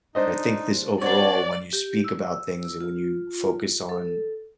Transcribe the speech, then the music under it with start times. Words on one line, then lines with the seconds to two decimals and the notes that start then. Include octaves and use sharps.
and I think this overall when you speak about things and when you focus on
0.15 D4 D#4 C5 D#5
1.01 C4 D4 F#4 C#5 D5
1.73 G4
2.04 E6
2.81 F4
3.89 A4